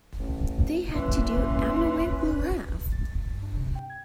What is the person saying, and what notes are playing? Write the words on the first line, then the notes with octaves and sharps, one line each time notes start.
They had to do anyway when we left.
A1
F#1 E3 C#4 B4 C6
A6
C#2
G2
D4
C3
G5
G#6